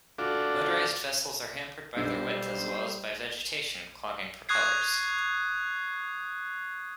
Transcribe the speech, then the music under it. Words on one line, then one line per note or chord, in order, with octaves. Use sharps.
Motorised vessels are hampered by their width as well as by vegetation clogging propellers.
D4 F4 F#4 A4 D5
B1 G3 B3 D4 D#4 C5 E6
C#6 D#6 F#6 G#6 C7